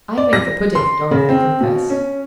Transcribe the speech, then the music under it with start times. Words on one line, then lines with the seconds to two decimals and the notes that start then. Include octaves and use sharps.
"I made the pudding," Dorothy confessed.
0.18 D5
0.33 A#6
0.75 C6
1.11 C#3
1.29 C4
1.61 B2
1.90 C#4